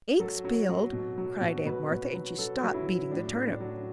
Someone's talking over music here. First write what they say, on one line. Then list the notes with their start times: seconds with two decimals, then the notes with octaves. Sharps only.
"Ink spilled?" cried aunt Martha, and she stopped beating the turnip.
0.20 F#3 A4
0.45 F#3
0.69 F#3
0.93 B2
1.18 F#3
1.41 B2
1.65 B2 B4
1.91 B2
2.15 F#3
2.38 F#3 A4
2.63 F#3
2.74 E4
2.87 F#3
3.11 A2 D4
3.36 A2
3.47 D4
3.60 F#3